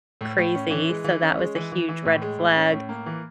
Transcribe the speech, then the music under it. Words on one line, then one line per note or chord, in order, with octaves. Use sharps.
crazy, so that was a huge red flag.
A2
A2
C#4
E3
G#3
E3
C#4
G#3
E3
E3
E3
A2
G#3
A2
C#4
A2
A#3
E3